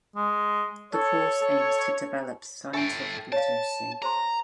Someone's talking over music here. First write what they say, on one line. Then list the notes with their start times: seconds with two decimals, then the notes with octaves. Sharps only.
The course aims to develop scientific literacy.
0.16 G#3
0.94 A4 C#5
1.42 A4
2.74 A4 E5 G5 G#5 C#6
3.32 C#5 D5 F5 A5
4.02 G#4 C5 A#5 C6